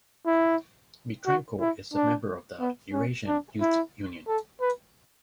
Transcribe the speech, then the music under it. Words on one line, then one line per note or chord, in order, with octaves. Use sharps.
Vitrenko is a member of the Eurasian Youth Union.
E4
F#4
E4
D4
B3
C#4
D4
E4
A4
B4